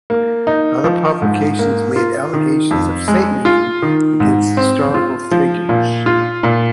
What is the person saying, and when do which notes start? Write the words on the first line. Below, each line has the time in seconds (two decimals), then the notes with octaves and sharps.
Other publications made allegations of Satanism against historical figures.
0.10 A#3
0.47 D#4
0.84 F3
1.22 G#2
1.59 A#3
1.96 F4
2.34 D#3
2.71 F2
3.08 G#3
3.45 F4
3.82 D#3
4.20 G#2
4.57 C4
4.94 F4
5.31 F3
5.69 A#2
6.06 F4
6.43 A#2